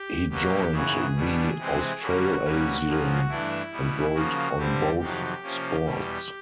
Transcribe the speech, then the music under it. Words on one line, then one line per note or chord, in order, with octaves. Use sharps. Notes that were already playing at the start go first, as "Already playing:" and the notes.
He joined the "Australasian", and wrote on both sports.
Already playing: G4
B2 F#3 A#3 G4
F#2 C#3 E3 G#4
B2 G3 B3 D4
C3 E3 G#3 C4
D3 G3 A#3 C#4 F#4
B2 G3 A#3 C#4
A#2 F3 A#3 C#4
G2 E3 A3 D4 E4
B2 G3 B3
C#3 F3 A#3 F#4
G2 D3 G3 C4 G4
F2 C3 D#3 F#3 G4
C3 F3 A#3 C#4
E2 B2 G3